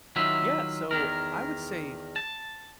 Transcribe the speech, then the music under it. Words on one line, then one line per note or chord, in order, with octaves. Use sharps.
Yeah, so, I would say,
D#3 F#3 E4 F4 E5
E2 D#3 A#4
A5